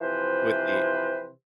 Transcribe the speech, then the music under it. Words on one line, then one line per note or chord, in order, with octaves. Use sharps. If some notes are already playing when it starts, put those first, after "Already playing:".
With the
C3 E3 F3 B4 C5